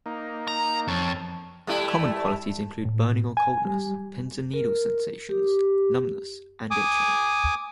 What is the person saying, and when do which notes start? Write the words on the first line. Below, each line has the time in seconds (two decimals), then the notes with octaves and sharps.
Common qualities include burning or coldness, "pins and needles" sensations, numbness and itching.
0.06 A#3 D#4
0.48 A#5
0.88 F2 C#5 A5
1.67 G3 A3 E4
2.85 A2
3.37 G#5
3.65 G3
4.54 A#4
5.29 G4
6.71 G#5 D6 D#6